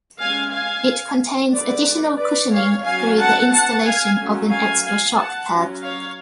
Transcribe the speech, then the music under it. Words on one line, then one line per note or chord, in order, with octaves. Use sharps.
It contains additional cushioning through the installation of an extra shock pad.
G#3 C#4 F5 G#5
F5 G#5
D3 G#3 D4 B4 D5
B4 D5
C#5 F5
F#3 C#4 F5 G#5
F#5 A5
F#5 A5
F5 G#5
F#3 A3 C#4
F5 G#5
F5 G#5
F#5 A5
F#3 C#4
C#5 F5